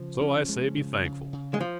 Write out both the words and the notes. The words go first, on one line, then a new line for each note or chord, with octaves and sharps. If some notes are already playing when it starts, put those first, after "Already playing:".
So I say, be thankful.
Already playing: C#3 F3
C#4
G#3
C#3
C#3
C#3
G#3
F3